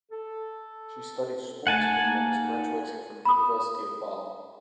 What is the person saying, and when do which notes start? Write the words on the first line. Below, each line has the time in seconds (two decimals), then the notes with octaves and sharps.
She studied Sports Performance graduating from University of Bath.
0.12 A4
1.67 A3 F#5 G#5 A5
2.02 A#3 D#4
3.25 B5 D#6